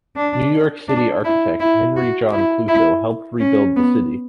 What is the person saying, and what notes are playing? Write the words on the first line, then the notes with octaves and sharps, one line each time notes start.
New York City architect Henry John Klutho helped rebuild the city.
D4
D4
E4
E4
F#4
E4
E4
C#4
B3